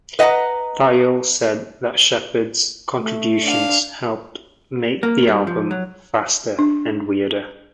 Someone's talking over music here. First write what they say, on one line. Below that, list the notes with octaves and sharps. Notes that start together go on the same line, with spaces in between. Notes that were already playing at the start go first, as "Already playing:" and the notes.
Thayil said that Shepherd's contributions helped make the album "faster" and "weirder".
B4 D#5 F#5 A5 A#5
A3
D4 F5
A#3
G3
F3
F#3
D4